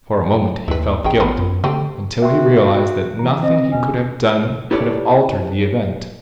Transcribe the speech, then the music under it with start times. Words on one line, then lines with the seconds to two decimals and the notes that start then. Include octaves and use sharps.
For a moment, he felt guilt, until he realized that nothing he could have done could have altered the event.
0.68 D#2 E4 B4
1.04 A1 D#3 G#4 G5
1.20 B3 F4 A#4
1.39 F#2
1.64 D3 A3 C4 G4
2.22 F#4 E5 G5 C6
3.19 E3 A#5
3.43 C4 D#5
3.72 E2 B2 C#4
4.71 E4 G4 A4 B4 C#5 D5